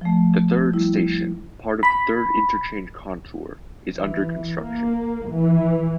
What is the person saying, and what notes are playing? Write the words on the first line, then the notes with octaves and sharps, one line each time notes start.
The third station, part of the Third Interchange Contour, is under construction.
F3 A3
G3 E4
B5
E3
A#3
E3